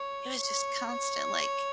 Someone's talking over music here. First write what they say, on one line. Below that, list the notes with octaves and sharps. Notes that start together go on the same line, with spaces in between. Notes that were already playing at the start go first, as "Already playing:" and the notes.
It was just constant, like,
Already playing: C#5
C#5
C#5